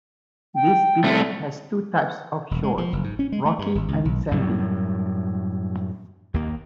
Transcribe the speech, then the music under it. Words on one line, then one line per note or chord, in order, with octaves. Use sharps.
This beach has two types of shores, rocky and sandy.
G5
C2 A3
E1
G#3
F3
F#1
G#2
C#4
G#3
A3
G2
G#1
C#2
B1
F#2 A2 G3
D#2 A#3